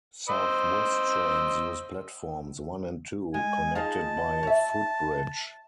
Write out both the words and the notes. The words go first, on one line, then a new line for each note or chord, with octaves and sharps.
South West Trains use platforms one and two, connected by a footbridge.
C5 D#5 E6
G#3 G#5
D#4 F4 G#4 A5
C#5 E5